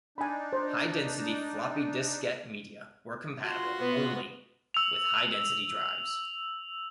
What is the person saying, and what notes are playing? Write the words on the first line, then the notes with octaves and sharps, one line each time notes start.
High-density floppy diskette media were compatible only with high-density drives.
D4 D#4 G#5 B5
C5
F4 F#4 C6
B2 B3
E6 F7